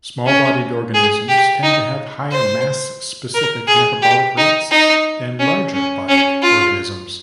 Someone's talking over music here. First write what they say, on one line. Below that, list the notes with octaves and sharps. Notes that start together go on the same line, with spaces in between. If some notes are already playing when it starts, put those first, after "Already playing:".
Small-bodied organisms tend to have higher mass-specific metabolic rates than larger-bodied organisms.
C#4
G#4
G4
D#4
C5
A#4
G#4
G4
D#4
D#4
C#4
C#4
C#4
F4